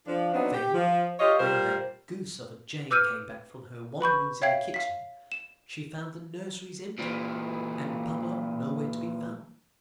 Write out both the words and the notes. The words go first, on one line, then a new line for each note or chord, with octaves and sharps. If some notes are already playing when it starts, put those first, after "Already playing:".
Then, when that goose of a Jane came back from her wanderings in the kitchen, she found the nurseries empty, and Baba nowhere to be found.
F3 D4
F#3 B3 C4 D4 D#4
G4
F3
F4 G4 C#5 D#5 F5
G3 F4 A#4 C5
B4 D6 E6 F6 G6 D#7
B4 B5 C#6 G6
C#5 E5 F5 G5 G#6 C7
F5 B6
E7
A#2 E3